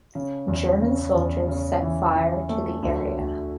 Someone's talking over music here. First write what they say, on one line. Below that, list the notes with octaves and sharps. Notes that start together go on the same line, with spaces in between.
German soldiers set fire to the area.
C#3
E2
C#3
E2
C#3
E3
E3
A3
D2
D2